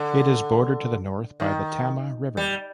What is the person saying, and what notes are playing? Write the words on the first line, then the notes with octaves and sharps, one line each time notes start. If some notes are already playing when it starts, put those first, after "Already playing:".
It is bordered to the north by the Tama River.
Already playing: D3
D#3
G3